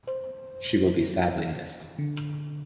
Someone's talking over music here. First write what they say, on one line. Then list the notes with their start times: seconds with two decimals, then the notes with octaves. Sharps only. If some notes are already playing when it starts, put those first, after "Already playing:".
She will be sadly missed.
0.07 C5
1.99 D3